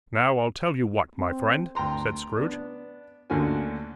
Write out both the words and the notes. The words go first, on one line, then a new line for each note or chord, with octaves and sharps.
'Now, I'll tell you what, my friend,' said Scrooge.
C4
D2 G5 A#5 C6
B3 D4
D2 D3 A#3 C#4 F#4 G#5